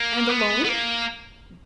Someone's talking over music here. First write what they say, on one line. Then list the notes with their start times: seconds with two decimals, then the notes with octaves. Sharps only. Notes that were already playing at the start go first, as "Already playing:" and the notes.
"And alone?"
Already playing: A#3
0.29 B3
0.65 B3
0.69 A#3